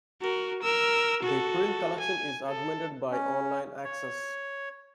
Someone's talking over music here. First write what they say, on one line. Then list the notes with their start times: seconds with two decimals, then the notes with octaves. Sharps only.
The print collection is augmented by online access.
0.21 F#4 A#4
0.62 A#4 E6
1.22 F#4 A4
2.00 G#5
2.47 A4
3.11 C#4
3.84 C#5